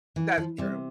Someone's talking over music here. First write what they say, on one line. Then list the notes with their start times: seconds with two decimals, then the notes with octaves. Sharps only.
That's true.
0.16 E3
0.38 F3
0.58 C3 G3